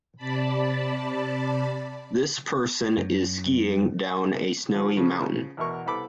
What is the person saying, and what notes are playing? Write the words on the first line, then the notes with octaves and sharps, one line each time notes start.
This person is skiing down a snowy mountain.
C3 D5 A5 B5
F#2
D3 F3
C#3 F3
E2 B2 E4 A#4 C#6
C2 B3 A4 B5 D6